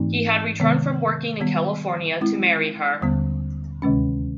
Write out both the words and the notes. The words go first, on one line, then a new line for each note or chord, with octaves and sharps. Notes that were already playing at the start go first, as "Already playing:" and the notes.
He had returned from working in California to marry her.
Already playing: G#2 E3 A3 C4 D#4
C3 D#3 G#3 B3
D#3 G3 B3
G#3 C4 E4
D#2 D3 G3 B3
D2 C3 D#3 G#3 C#4